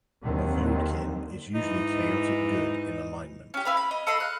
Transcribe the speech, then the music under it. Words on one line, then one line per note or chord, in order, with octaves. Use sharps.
A voadkyn is usually chaotic good in alignment.
D#2 D3 D#3 F#3 C4
G#2 E3 D#4
C#4 G4
E4 B4 F5
B5
D#5
A4 D#5 B5 C6
F5 F#6